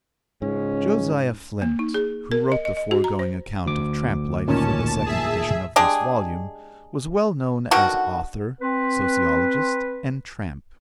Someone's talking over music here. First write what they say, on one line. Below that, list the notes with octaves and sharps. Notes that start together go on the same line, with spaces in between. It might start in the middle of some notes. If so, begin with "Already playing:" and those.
"Josiah Flynt" who wrote the foregoing account of tramp-life for the second edition of this volume, was well known as author, sociologist, and tramp.
C#2 G#2 C#4
A#3
D#4
G#4
A#4
D#5
D#5
D#5
F#4
A#5
C5
D2 D6
A1 A#2 D#3 C#4 A5
G#4 E5
G#3 D4 G4 G#4
B2 D3 D#3 F#4
C4 B4